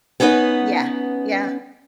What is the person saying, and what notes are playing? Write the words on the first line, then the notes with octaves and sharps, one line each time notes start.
Yeah. Yeah.
B3 C#4 D#4 B4 F#5